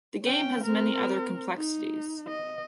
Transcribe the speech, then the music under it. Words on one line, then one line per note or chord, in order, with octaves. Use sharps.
The game has many other complexities.
C#4 G5
C4 A#4
D#4
D#5